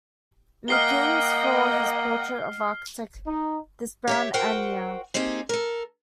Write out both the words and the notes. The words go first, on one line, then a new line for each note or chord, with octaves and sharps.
McInnes for his portrait of architect "Desbrowe Annear".
A#3 D#5 F#5 G5 F6 C7 G7
D#4
G4 C#5 E5
F#4 A#4 C5 F#5 G5
A#3 C4 D#4 G4 G#4
A4 A#4